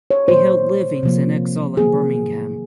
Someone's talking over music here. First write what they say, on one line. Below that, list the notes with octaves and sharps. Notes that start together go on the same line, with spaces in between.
He held livings in Exhall and Birmingham.
C#5
A#2 F#3 A#3 C5
C3 F3 A#3
D#3 F#3 A#3 G#4